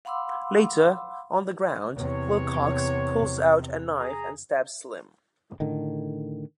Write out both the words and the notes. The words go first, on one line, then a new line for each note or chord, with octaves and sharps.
Later, on the ground, Wilcox pulls out a knife and stabs Slim.
F5 F#5 B5 C6 D6 E6
E2 C3 C#5
G#4 A#5
A2 D3 D#3